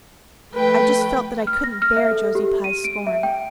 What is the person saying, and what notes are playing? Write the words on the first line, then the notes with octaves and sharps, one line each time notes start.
I just felt that I couldn't bear Josie Pye's scorn.
F3 A3 B4 G5
F6
A#6
F6
E5
A4
G4
D#7
D7
E5
G5